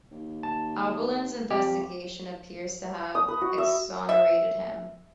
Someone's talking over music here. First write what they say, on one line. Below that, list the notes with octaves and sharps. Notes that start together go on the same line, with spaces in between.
Abberline's investigation appears to have exonerated him.
D#2
A5
F2 G4
D#6
B4
F#4
E5
E5